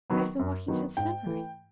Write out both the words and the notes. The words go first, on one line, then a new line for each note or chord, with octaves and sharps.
I have been walking since sunrise.
D#3 F#3 B3
F#2
D#3 F#3 B3
G#2 G5
E3 A3